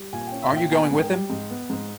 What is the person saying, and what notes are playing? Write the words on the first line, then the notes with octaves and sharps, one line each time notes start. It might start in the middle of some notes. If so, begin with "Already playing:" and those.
Aren't you going with him?
Already playing: G3
A#2 G#5
C#4 G5
E5
A#2 G5
B3 G#5
G#2
G5
G3
G#2
B3
G#2